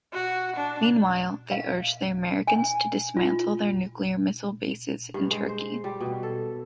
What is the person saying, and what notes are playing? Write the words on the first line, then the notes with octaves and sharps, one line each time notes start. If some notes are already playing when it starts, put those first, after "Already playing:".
Meanwhile, they urged the Americans to dismantle their nuclear missile bases in Turkey.
F#4
D4
F5
G#5
F4
G2
G#3
C5
G3
B2
A4